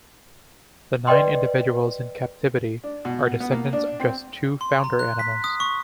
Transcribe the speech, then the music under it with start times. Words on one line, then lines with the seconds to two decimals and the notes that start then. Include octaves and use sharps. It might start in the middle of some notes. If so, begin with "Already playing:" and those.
The nine individuals in captivity are descendants of just two founder animals.
1.07 B4 D5 D#5 G5 C6
2.84 D4
3.05 B2
3.40 B3
3.52 A#3
3.73 D4
4.00 C4
4.61 C6
4.84 A#5
4.99 F#6
5.19 B6
5.44 D#6
5.60 C#6